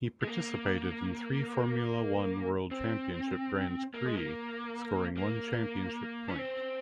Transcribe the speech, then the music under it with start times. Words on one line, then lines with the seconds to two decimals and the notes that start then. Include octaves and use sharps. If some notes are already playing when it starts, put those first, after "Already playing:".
He participated in three Formula One World Championship Grands Prix, scoring one championship point.
0.22 G#3
0.27 A#3
2.71 C4
3.94 A#3
4.06 G#3
4.17 A#3
5.17 A#3
6.28 C#4
6.38 C4